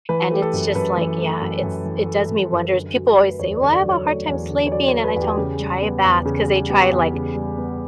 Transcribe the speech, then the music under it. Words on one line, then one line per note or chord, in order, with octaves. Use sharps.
and it's just like, yeah, it's it does me wonders. People always say, "Well, I have a hard time sleeping," and I tell 'em, "Try a bath," 'cause they try like
E3 B4
A3 G4
A4
F#2
F#2 B4
E3
A3
F#2
F#2
E3
A3
F#2
F#2
D3
F#3
A3
B4
E2 C#5
D5
D3
D5
F#3
C#5
A3 C#5
E2
D3
C#5
F#3 D5
C#5
A3
B4
E2
G4
C#3
G3
B3
E2
C#3
G3
B3 G4
E2
C#3
G3
B3